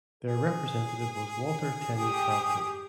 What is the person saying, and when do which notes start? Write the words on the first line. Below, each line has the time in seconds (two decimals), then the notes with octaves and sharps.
Their representative was Walter Tenney Carleton.
0.28 G#4
1.99 G4 D#6